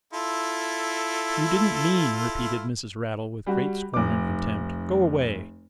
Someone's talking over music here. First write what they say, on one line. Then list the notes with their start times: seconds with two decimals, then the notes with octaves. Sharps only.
'You didn't mean!' repeated Mrs. Raddle, with great scorn and contempt. 'Go away.
0.13 E4 F4 A4
3.46 G3 F#4
3.94 F1 D6